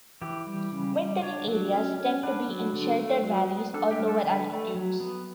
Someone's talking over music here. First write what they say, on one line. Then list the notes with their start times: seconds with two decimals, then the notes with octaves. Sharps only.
Wintering areas tend to be in sheltered valleys or lower altitudes.
0.22 E3 G4
0.47 G3
0.72 C#3
0.97 G3
1.22 D4 C#5
1.47 F#3
1.73 C#4
1.98 C#4
2.23 D4 B4
2.48 F#3
2.73 D3
2.99 A3
3.23 F#3
3.49 B3
3.74 D4 A4
3.91 G4
4.00 G3
4.08 A4
4.24 D3 B4
4.50 A3
4.75 F#3
5.00 B3